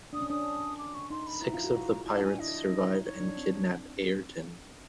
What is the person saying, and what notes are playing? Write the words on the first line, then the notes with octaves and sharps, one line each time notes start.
Six of the pirates survive and kidnap Ayrton.
D4 D#6
C#4
D4 D#6
D6
C#6
D#4 C6
B5
E4 A#5
F4
F#4
F4
E4 A5
D4 G#5
E4 D#5
D#4
C#5
D4
C4